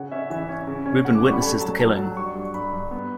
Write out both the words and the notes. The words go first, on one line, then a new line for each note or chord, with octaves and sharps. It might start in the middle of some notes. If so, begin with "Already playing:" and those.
Reuben witnesses the killing.
Already playing: C#3 F#5
C#4 E5
E3 E5
C#4
C#3
C#4
C#3 F#5
D6
G3 C#6
B5
A3 A5
F#3 A5
F#3 A5
F#3
G2 C#6
C#6
G2
C#6
G2 B5
G2
B3